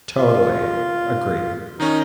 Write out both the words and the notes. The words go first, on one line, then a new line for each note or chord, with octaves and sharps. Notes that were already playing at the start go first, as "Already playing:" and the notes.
Totally agree.
F4
D#3 C#4 D#4